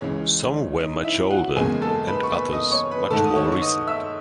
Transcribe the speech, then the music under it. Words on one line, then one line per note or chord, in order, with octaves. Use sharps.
Some were much older and others much more recent.
C#2 C#3 E3 G#3 C#4 C#5
D#4 D#5
E4 E5
F#4 F#5
F#1 E2 C#3 G#3 G#4 G#5
A4 A5
B4 B5
C#6
B4 B5
D#5 D#6
C#5 C#6
B4 B5
G#2 D#3 A3 A4 A5
D#6
C#5 C#6
C#6
D#5 D#6
E5 E6